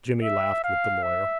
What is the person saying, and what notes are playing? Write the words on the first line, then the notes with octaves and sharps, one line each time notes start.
Jimmy laughed with the lawyer.
E5
F5
E5